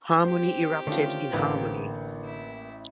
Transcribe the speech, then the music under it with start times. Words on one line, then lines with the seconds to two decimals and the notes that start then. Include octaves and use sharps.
Harmony erupted in Harmony.
0.24 C4 G4 C5
0.87 D3 D#3 A3 C#4 F4
1.33 A1 D3 A#3 B4
2.24 E4